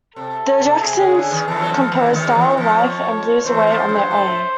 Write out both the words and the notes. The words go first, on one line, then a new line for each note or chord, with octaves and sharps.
The Jacksons composed "Style of Life" and "Blues Away" on their own.
C3 A4
C3
C3 G#4
C#3
D3 G#4
D#2 D#3
E2 E3 A4
F#3
F2 F3
E2 E3
D3
D#2 D#3
E2 E3
F2 F3
C#5
E2 E3 C5
F2 F3
F#2 F#3
A2 A3